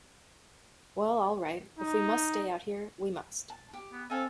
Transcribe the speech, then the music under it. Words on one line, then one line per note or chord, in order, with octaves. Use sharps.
Well, all right. If we must stay out here, we must.
D#4
A5
G4
B3
C4 A4 D#5 F5 G#5